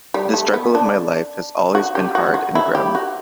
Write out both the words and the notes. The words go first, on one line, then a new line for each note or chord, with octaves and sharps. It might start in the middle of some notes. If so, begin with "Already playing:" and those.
The struggle of my life has always been hard and grim.
G3
A3
B3
D4
F#4
G4
F#4
F#4
E4
G4
F#4